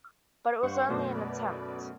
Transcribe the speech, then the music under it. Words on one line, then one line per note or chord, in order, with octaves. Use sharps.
But it was only an attempt.
G2 C5 F#5 C#6
F#2 B2 A3 C5
B4 D5